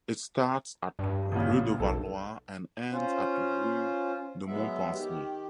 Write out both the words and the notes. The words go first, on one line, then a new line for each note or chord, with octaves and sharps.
It starts at Rue de Valois and ends at Rue de Montpensier.
G2
A1 A#2 C#3
B1 A4
C#4 F4 C5
F#3 G#3 B3 E5
D#3 G4